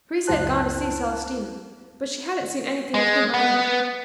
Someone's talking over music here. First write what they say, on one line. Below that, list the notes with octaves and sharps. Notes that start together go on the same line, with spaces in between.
Teresa had gone to see Celestina, but she hadn't seen anything of him either.
C#2 F#2 E4 C5 A5 F#6
G#3
B3